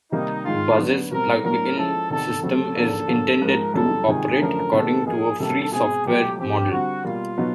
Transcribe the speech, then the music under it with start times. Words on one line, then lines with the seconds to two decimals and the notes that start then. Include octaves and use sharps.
Buzz's plugin system is intended to operate according to a free software model.
0.12 C3 D#3 G3 A#3 D#4
0.45 G#2 D#3 G#3 F4
0.78 D3 F#3 B3 D4
1.11 B2 G3 C4 A#4
1.44 A2 F#3 A#3 D4 A#4
1.77 F3 G#3 C#4 E4 A4
2.10 E2 C3 D#3 A4
2.42 D2 C#3 F#3 A3 C4 A4
2.76 E2 C#3 F3 A#3 D4
3.08 D3 F#3 A#3
3.42 G#2 F3 G#3 A#4
3.74 F#2 C#3 E3 G3 A4
4.07 C#2 C3 D#3 G#4
4.41 F#2 D3 F3 A3 C#4 A#4
4.73 C3 D#3 G#3 B3 A4
5.06 F3 A#3 D#4 G#4
5.39 C3 D#3 G3 A#3 A4
5.72 B2 G#3 C4 G#4
6.05 C#2 B2 F#3 A3 G4
6.38 F3 A3 C4 G4
6.71 D3 G3 C4 F#4
7.05 B2 G3 A#3 F4
7.37 B2 F#3 B3 D#4